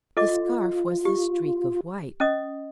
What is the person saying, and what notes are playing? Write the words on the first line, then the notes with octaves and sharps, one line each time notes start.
The scarf was the streak of white.
F4 A4 D#5 D6
G4
C#4 D#5 D#6